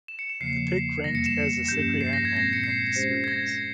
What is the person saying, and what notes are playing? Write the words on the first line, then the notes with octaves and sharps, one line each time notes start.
The pig ranked as a sacred animal among the Syrians.
E7
C#7
E7
E2 C#3 F3 A#3 C7
F2 C3 G3 A#3 A#6
C#7
E7
G2 F3 A#3 C#4 G4 G6
C7
A#6
G#6
A#2 G#3 C4 A#6
C#7
C7
G#3 C#4 G4 C5
G#6
A#6